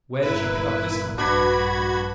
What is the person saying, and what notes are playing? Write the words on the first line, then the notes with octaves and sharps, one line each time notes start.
Where did she pick up this companion?
G1 A#2 E4 B4
A#1 G2 D4 F#4 B4 B5 G#6